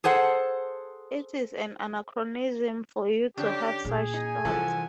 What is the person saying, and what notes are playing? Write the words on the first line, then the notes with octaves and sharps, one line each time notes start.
It is an anachronism for you to have such thoughts.
G#4 A4 C5 F#5
D3 C#4 D4 G4
A#2 G#4
D#4 G#5
C2 E3 F3 A4